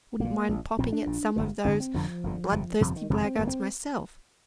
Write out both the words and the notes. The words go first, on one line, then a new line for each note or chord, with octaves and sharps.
Wouldn't mind popping at some of those bloodthirsty blackguards myself.
A#1 A#2 A#3
A#1 A#2
A#1 A#2 C4
D4
A#1 A#2
G1 F2 D3
G1 F2 D3 C4
C4
G1 F2 D3 F3
G1 F2 D3
G1 F2 C3
G1 F2 C3 F3
D#3
G1 F2 C3 D#3
C4
G1 F2 C3 A#3
C4